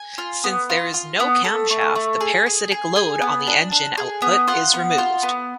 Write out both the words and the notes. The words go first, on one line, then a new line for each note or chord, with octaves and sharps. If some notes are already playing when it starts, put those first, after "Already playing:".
Since there is no camshaft, the parasitic load on the engine output is removed.
Already playing: G#5
F4
B3
F4
F4
B3
A3
A3
A3
G#4
G#4
G#4
G#4 G#5
B3
D4
D4
G#4
B3
F4 F#5
B3
F4
B3